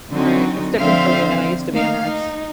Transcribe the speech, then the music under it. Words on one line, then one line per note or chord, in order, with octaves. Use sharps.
Right, it's different for women, I used to be a nurse.
D3 F#3 C4 C#4 D#4 F#4
D3 F3 C4 C5 E5 F5
A3 A#3 D#4 F5
D#4